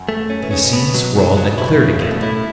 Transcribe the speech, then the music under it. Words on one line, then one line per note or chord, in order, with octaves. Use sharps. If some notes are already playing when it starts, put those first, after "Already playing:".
The scene swirled and cleared again.
Already playing: F#2
A3
C#4
E3
C#3 C#4
B2
A2 B3
C#3
B2 F#3
C#3 F#3
C#3 F#3
B2 E4
C#3
A2 A3
B2
A2 E4